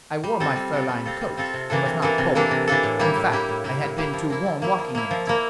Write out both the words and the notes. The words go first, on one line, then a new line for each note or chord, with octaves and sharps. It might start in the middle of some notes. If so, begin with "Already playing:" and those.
I wore my fur-lined coat, and was not cold--in fact, I had been too warm walking in it.
G3
C4 F4 A4
G3
C4 F4 A4
G3
C4 F4 A4
G3
C4 F4 A4
C3
E3 A#3 D4 A4
C3
E3 A#3 D4 A4
C3
E3 A#3 D4 A4
C3
E3 A#3 D4 A4
A2
G3 A#3 E4 G4
A2
G3 A#3 E4 G4
A2
G3 A#3 E4 G4
A2
G3 A#3 E4 G4
F3
A#3 E4
F3
A#3 E4
F3
A#3 E4
F3
A#3 E4